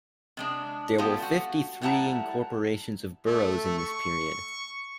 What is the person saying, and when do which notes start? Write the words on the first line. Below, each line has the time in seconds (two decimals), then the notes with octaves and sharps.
There were fifty-three incorporations of boroughs in this period.
0.37 C3 G#3 D4
0.98 G3 G#3 B3 F4 G4 A4
1.22 F#4
1.81 A2 G3 E4 F#5 A5 A#5
3.26 A3
3.78 C#6